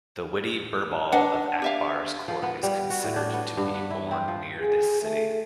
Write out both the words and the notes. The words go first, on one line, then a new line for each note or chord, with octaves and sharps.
The witty Birbal of Akbar's court is considered to be born near this city.
D4 B4 D#5 F#5
G4 E5 F5
F3
B3
G3
F#4
A2
D4
B3
G2
B4
E4
C4
F3
G#4
A3